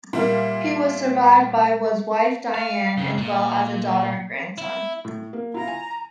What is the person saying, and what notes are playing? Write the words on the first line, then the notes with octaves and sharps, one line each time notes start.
He was survived by was wife Diane, as well as a daughter and grandson.
A#2 G3 A#4 E5 F#5
F5
F2 C#3
A#2
E4
A2
A#3
E4 F4 A#5
G#5